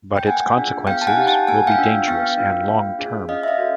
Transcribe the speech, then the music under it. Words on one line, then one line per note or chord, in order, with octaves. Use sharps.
But its consequences will be dangerous and long-term.
G5
A#3 F#5 G#5
D4 F4 G#4
B3 F5 G5
A5
F#5 G#5
D#4 G4
G5 A5
A#3 F#5 G#5
F5 G5
D4 F4
B3 F5 G5
D4 F4
A#3
D4 F4 G#4
C#4 D#5 F5
E5
D#5 F5
F#4 A4